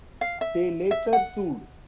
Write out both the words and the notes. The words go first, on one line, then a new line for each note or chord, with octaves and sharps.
They later sued.
F5
E5
E5
F#5